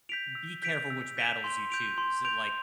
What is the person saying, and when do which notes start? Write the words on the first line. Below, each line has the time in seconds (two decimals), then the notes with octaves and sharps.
be careful which battles you choose. Like,
0.09 G6 B6 D7 F7
0.35 E6
0.62 G6 B6 D7 F7
0.90 E6
1.17 G6 B6 D7 F7
1.44 C6
1.70 G6 D7 F7
1.98 C6
2.25 G6 D7 F7